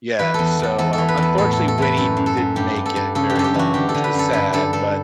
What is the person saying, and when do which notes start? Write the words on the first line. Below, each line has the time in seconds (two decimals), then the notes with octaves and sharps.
Yeah, so, um, unfortunately, Winnie didn't make it very long, which was sad, but,
0.19 E3 B4
0.34 E2 A4
0.59 E2 A4
0.78 E2 A4
0.93 A4
0.98 E3
1.08 B4
1.17 E2 A4
1.38 A2 A4
1.53 A2 A4
1.68 A4
1.78 E3 B4
1.97 F#2 A4
2.17 F#2
2.26 A4
2.37 F#2
2.56 G2 G4
2.76 G2
2.86 A4
2.96 G2
3.15 C#3 A4
3.30 G4
3.36 F#2 A4
3.44 G4
3.54 E3 F#4
3.74 D3 G4
3.89 A4
3.94 D3
4.04 B4
4.14 F#2 A4
4.33 G2 B4
4.53 G2 A4
4.73 G2 A4